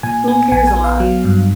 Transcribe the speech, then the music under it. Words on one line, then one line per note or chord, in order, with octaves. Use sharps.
Who Cares a Lot?
A#2 G#5
B3 G#5
A#1 G#5
G#5
B3
F5
F#3
G2